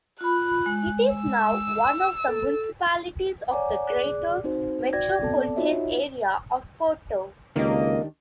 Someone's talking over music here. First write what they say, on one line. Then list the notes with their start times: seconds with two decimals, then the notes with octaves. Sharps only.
It is now one of the municipalities of the Greater Metropolitan Area of Porto.
0.21 F4 B5 F#6
0.66 G#3
1.15 E6
2.28 A4
3.51 C#5 D5 F#5 G#5 A#5 D6
3.87 G#4 D5 D6 F#6
4.44 C4 D#4 F#4 C5
4.93 F#4 D5 G5 G#6 A#6
5.21 B3 C4 A4 D5 A5
5.56 D#4 F4 F#4 C#5 D#5 E5
7.56 C#2 D#3 A#3 D4 G4 D#5